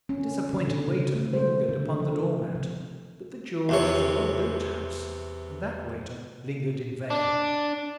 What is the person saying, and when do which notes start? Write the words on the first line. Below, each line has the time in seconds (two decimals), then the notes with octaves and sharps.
The disappointed waiter lingered upon the door-mat: but the George is a well-built house, and that waiter lingered in vain.
0.09 C#4
0.53 D3
0.68 B2
0.88 C#3
1.14 A3
1.33 C5
1.69 D3
2.00 F3
2.55 C3
3.69 E2 C3 C#5
7.10 D4